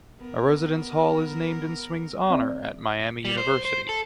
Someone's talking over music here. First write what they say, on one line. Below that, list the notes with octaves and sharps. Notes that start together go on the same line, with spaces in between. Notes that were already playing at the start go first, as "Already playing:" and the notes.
A residence hall is named in Swing's honor at Miami University.
B3 A#4
C4 D5 E5
G3
C5
C5
A4